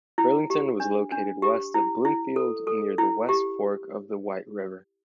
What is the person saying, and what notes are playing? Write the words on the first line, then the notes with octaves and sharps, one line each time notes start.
Burlington was located west of Bloomfield near the west fork of the White River.
E4
G4
D4
D4
G4
E4
E4
A4
A4
E4
G4